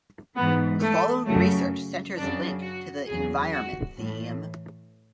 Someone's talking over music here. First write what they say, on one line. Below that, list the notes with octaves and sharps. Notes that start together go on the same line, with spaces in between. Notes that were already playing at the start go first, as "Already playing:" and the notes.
The following research centres link to the environment theme.
G#2 E3 B3
A3
F#2 C#3 F#3 A3
F#2 C#3 F#3 D4
F#4
E2 C#3 F#3 G#4
F#4
A2 E3